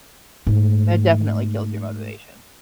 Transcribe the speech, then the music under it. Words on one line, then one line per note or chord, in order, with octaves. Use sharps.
That definitely kills your motivation.
G#2 A3